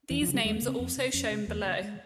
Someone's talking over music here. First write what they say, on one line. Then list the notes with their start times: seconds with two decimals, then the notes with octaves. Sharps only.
These names are also shown below.
0.10 E2 E3
0.22 F3
0.28 C#3
0.34 G3
0.45 E2 G#3
0.56 A#3
0.62 C#3
0.68 C4
0.79 F2
0.97 C3
1.14 F2 C#4
1.31 C3
1.48 E2 A#3
1.65 C#3
1.83 G#3